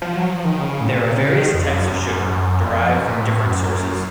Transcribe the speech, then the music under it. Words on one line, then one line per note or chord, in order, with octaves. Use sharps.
There are various types of sugar derived from different sources.
F3
F#3
F3
D#3
C#3
A2
A#2
C3
C#3
D#3
F2
F#2
F#2
F#2
F2
F#2
A#2
A2
F#2
F#2